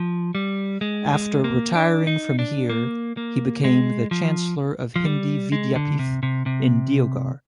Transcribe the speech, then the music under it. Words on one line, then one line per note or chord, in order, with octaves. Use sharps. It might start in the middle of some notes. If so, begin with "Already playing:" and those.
After retiring from here he became the Chancellor of Hindi Vidyapeeth in Deoghar.
Already playing: F3
G3
G#3
G#3
A#3
D4
D#4
D4
A#3
A#3
G#3
F3
F3
G3
G#3
D3
C3
C3
C3